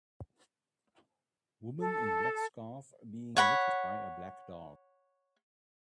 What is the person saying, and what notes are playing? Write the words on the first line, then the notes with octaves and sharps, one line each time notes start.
Woman in black scarf being licked by a black dog.
A4
C#5 F#5 B5